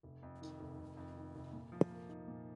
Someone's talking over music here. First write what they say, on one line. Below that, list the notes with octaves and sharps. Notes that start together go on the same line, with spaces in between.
She had several fellow Playmates model clothing for her.
F1
F2
D#3
F1
F1
F2
D#3
F1
A#2
F3
A#3
D#4
A#2